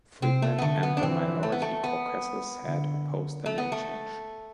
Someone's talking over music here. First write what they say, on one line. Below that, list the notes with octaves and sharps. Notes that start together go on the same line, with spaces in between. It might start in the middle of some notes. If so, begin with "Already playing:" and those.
Friedman and the minority caucuses had opposed the name change.
C3 C4
A3
B3
D3 A3
B3
D4
E3 C4
A3
B3
A3
B3
D3
A3
B3
A3